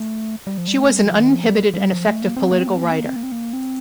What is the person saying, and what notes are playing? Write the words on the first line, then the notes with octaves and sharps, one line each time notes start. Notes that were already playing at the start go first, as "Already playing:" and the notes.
She was an uninhibited and effective political writer.
Already playing: A3
G3
F3
G3
A3
G3
F3
D#3
F3
G3
F3
G3
F3
A3
A#3
C4
A#3
C4
A#3
C4
A#3
C4
A#3
C4
A#3
C4
A#3
C4